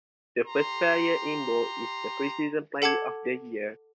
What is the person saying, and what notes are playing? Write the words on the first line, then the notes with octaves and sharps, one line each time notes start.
The first player in bold is the preseason player of the year.
G4 A#5 C6
A4 F#5 A5 D6 G#6